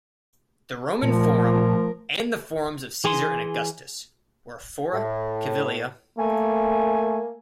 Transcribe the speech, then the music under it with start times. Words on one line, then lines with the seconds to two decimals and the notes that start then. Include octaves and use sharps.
The Roman Forum, and the Forums of Caesar and Augustus were Fora Civilia.
1.02 A#2 F3 A3 A#4
3.04 E3 G#4 G#5 C6
4.93 A2
6.18 A3 A#3 G#5